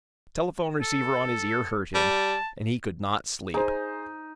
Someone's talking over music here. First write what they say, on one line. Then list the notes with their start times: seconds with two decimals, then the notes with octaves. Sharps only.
The telephone receiver on his ear hurt him, and he could not sleep.
0.82 A4
1.95 G3 A5
3.54 D#4 G#4 C5